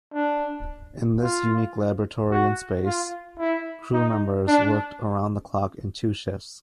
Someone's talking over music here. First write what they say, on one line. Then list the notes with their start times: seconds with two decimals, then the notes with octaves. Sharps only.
In this unique laboratory in space, crew members worked around-the-clock in two shifts.
0.14 D4
1.22 F4
2.30 F#4
2.85 F4
3.39 E4
3.93 D#4
4.48 D4